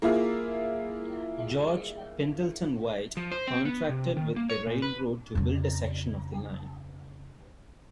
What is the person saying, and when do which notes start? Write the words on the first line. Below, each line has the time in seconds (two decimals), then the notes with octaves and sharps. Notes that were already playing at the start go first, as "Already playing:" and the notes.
George Pendleton White contracted with the railroad to build a section of the line.
0.02 A#3 E4 F4 G#4
3.17 F3
3.32 C5
3.47 C4
3.65 B3
3.89 C3
4.17 D#3
4.36 A#3
4.50 C#5
4.67 A#2
4.82 B4
5.35 F2 C#3